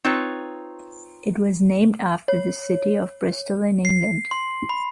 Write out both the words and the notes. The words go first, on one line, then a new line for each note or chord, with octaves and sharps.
It was named after the city of Bristol, in England.
C4 D#4 F4 B4 C#5
C#5
C7
C6
B5